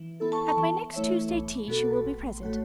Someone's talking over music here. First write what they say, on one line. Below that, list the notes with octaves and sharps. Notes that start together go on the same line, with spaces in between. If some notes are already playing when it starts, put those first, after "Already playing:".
At my next Tuesday tea she will be present.
Already playing: E3
B3 E4 A4
A5 C#6
E3
A3 E4 C#5 E5
B1
B2 B3 F#4 A4
A1
A2 A3 F#4 C#5